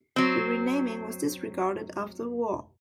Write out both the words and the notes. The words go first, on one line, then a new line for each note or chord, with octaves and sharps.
The renaming was disregarded after the war.
F#3 C4